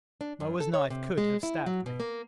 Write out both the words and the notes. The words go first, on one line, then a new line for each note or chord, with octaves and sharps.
Moa's knife could have stabbed me.
D4
F#2
A4
C#5
C3
G#3
E4
F#3
B2
A#3